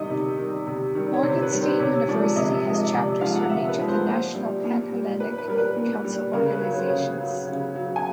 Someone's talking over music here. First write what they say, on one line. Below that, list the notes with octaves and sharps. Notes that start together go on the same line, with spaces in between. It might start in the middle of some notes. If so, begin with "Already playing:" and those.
Morgan State University has chapters from each of the National Pan-Hellenic Council organizations.
Already playing: C3 D#3 G3 D#5
C3
D#3 G3
C3
D#3 G3
C#5
C3 C5
B4
D#3 G3
C5
C3 C#5
F3 G#3 D5
C3 D#5
E5
F3 G#3
D#5
C3 D5
F3 G#3 F5
F#5
C3 E5
B4
F3 G#3
C5
A#2 C5
G3
A#2
G3
A#2 B4
B4
G3 A#4
B4
A#2
G3
C#3 A#4
B4
F#3
C#5
C5
C#3 C#5
F#3
C#3
F#3
G#5